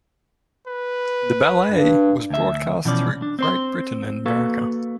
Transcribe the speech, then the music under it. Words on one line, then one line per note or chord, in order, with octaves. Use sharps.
The ballet was broadcast throughout Great Britain and America.
B4
G2
D2 E5
B2 E3 F3 C#4 D5
D4
C4 C5 C6
A#3 F#4 A4 B4